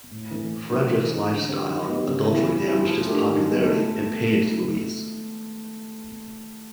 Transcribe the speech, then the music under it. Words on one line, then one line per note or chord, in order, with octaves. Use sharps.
Fredrick's life style and adultery damaged his popularity and pained Louise.
A2
E3 A3 C4
A#2
F#3 A3 C4 F4
E3
A3 C4 D#4 G#4
D3
G3 C4
D#3
F#3 B3 D#4 G4
C#3
E3 G3 B3 E4
G3
C4 E4 G#4
F3
A3 D4 G4 A#4
D#3
G#3
B3
A3